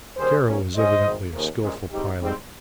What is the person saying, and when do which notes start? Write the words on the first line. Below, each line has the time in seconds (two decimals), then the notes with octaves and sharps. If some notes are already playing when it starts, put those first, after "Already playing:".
Kara was evidently a skilful pilot.
0.16 D#2 D#3 G3 C#4 G#4 C5
0.46 A#1 A#2 G3 A#3 C#4
0.74 G#1 G2 G3 C#4 C5 D#5
1.04 G#1 G#2 D#3
1.33 D#2 C#3 F3 A#3
1.62 A#1 A#2 G#3 C#4
1.90 G#2 G3 C4 D#4 G4
2.20 G#2 G3 C4